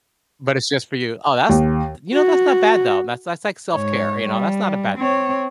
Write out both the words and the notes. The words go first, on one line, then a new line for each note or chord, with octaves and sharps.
But it's just for you. Oh, that's you know, that's not bad though, that's that's like self-care, you know, that's not a bad thing.
D#2
F#4
G#2 C#5
G3
C4 C#5